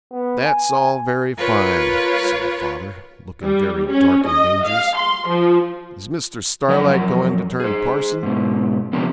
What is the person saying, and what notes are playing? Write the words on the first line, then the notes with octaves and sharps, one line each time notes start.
'That's all very fine,' said father, looking very dark and dangerous. 'Is Mr. Starlight going to turn parson?
B3
G#5
F4 A#4 B4 C#5
G3
C#4
D#5
F5
C6
F3
F2 F#3 A#4 D5 F#5
G#4 C5
G#2 B2
C3 F3 B3 C4 D4 A#4